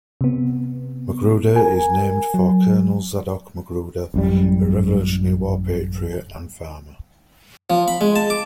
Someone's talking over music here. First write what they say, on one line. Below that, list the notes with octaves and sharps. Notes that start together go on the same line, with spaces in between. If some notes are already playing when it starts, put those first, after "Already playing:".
Magruder is named for Colonel Zadok Magruder, a Revolutionary War patriot and farmer.
C3 B3
A#4 G#5
F#3
A1 F#2 G3
F3
B5
G#3
A5
D6